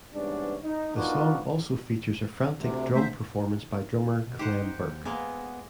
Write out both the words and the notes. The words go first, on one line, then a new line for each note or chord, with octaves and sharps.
The song also features a frantic drum performance by drummer Clem Burke.
G#2 E3 G3 B3 C#4 D4
D#4
B3 D4 D#4 F4 F#4 A#4
D2 C3
A3 C5 E5
B2
D#4 G4 C5 F#5
D#2
G#3 A#3 B3